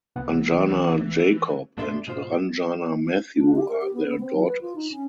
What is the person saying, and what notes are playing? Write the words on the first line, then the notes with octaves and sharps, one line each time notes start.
Anjana Jacob and Ranjana Mathew are their daughters.
C2 E3 B3 F#5
G2 B2 D4 A4 E5 C6
G#2 B2 F4 C5
D4
G4
A#4
G4
B3
B3
C4
F#3
B4
F4
D#4
C#4